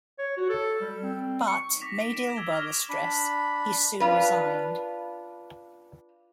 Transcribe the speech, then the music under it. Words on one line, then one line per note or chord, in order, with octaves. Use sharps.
But, made ill by the stress, he soon resigned.
C#5
F#4
A4
G3
C4
C#6
D6 A#6 B6 E7 F7
B6 D7
E7
D6 E6 G#6 B6 G7
C#6 D6 F6 A#6 E7 F7
D4 B5
D4 F4 B4